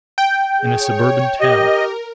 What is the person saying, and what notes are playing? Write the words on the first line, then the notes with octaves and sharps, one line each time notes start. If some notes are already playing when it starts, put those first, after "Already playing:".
In a suburban town?
G5
G#4 C#5
G4 A#4 D#5